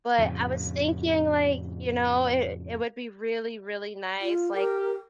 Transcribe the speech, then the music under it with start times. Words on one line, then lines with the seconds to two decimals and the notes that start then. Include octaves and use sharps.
But I was thinking, like, you know, it it would be really, really nice, like,
0.18 F2 A2 C#3
4.21 F4
4.54 G4 A#4